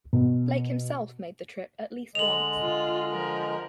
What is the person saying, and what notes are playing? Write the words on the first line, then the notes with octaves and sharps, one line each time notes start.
Blake himself made the trip at least once.
B2
D3 G#3 D#5 F7 F#7
F4
F3 A#4